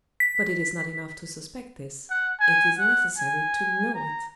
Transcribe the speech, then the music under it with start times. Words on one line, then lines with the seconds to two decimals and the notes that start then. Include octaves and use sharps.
But it is not enough to suspect this, it is necessary to know it.
0.20 B6
2.10 F#5
2.40 G#5
2.78 F#5
3.18 G#5
3.94 A#5